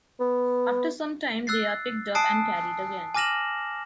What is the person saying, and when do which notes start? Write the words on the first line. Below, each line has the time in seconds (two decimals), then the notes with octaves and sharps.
After some time they are picked up and carried again.
0.20 B3
1.47 E6 F#6 A6 C7
2.15 G#5 A5 D#6 F#6 C7 D7
3.14 G#5 D6 F6 A#6 E7 F#7